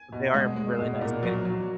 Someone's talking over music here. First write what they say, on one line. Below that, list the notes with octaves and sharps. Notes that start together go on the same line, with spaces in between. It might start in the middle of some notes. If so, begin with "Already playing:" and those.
but they are really nice kicks.
Already playing: G#5
B2
G#3
G#3
B2
A#2
F#3
F#3